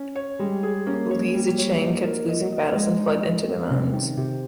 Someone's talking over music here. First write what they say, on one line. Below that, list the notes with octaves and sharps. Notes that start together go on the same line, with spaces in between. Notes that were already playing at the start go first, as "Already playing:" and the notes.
Li Zicheng kept losing battles and fled into the mountains.
Already playing: C#4
C#5
G3 G#3
G#4
A#3 C#4
C#5
G3
C#5
D#4
A#4
D#5
D#5
G#3 D#5
D#4
D#5
C4
C3 C#4
D#3
C3 G4